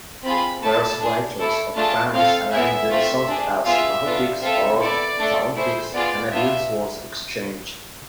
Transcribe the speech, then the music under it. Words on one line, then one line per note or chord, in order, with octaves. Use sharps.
Verse-writers of France aligned themselves as "Marotiques" or "Sagontiques", and abuse was exchanged.
C4 F4 G#4 B5
A3 E4 A4 A5
D4 G#4
A3 E4 A4
A3 D4 F4 G#4 A5
C4 F4 A4 F5
B3 E4 G#4 E5
A3 C4 F4
D4 G#4
B3 F4 G#4 E5
B3 D4 F4 A4
C4 F4 A4 E5
B3 E4 A4 D5
A3 D4 A4
A3 E4 G#4 C5
B3 F4 G#4 D5
B3 D4 F4 E5